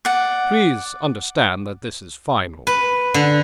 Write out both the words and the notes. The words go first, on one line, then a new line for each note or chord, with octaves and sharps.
Please understand that this is final.
D5 F#5
B4
D3